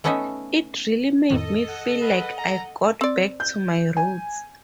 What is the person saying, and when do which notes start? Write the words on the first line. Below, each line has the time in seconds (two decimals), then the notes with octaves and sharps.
It really made me feel like I got back to my roots.
0.04 A3 B3 C#4 D#4 D#5 E5
1.30 F2 A2 D#3 A4 D#5
1.68 F#5
2.01 B4 F#5
2.38 A#5
3.01 C4 D5
3.40 G6
3.97 G#5